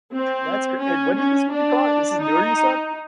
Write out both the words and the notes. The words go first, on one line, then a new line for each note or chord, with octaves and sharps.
that's cr and when did this movie come out? This is newer you said?
C4
C#4
C#4
D4
D#4